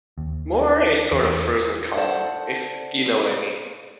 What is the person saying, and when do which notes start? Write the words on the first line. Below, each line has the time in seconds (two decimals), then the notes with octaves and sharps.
More a sort of frozen calm, if you know what I mean.
0.18 D#2
1.12 E2
1.97 A4 C5 D5 F#5 A5